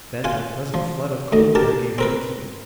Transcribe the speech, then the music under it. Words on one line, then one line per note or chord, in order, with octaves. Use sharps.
Then that pleasant flood of cold air gave him the key.
F4 F#5 G#5
F3
D2 D#5
G4 A#4 A5
C4 A#4 B4